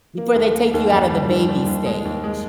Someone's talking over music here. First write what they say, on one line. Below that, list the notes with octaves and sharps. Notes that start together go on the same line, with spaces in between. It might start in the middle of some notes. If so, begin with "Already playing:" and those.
Before they take you out of the baby stage
A#3
D#2
A#3
D#2
F#2
G3
D#3
G3
D#2
G#3
D#2
G#3